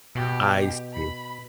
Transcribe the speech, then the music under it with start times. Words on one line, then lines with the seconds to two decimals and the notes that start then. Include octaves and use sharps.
I see.
0.15 B2 G4
0.93 B5